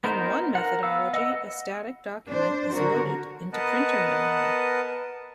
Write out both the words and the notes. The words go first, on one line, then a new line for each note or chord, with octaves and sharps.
In one methodology, a static document is loaded into printer memory.
B3 D#4 A#4 C5
A#4 F#5
B3 F5 E6
D#5 F#5 E6
D4 C5
D3 F#4 A#4
B3 A#4 B4 D#5 F#5 A5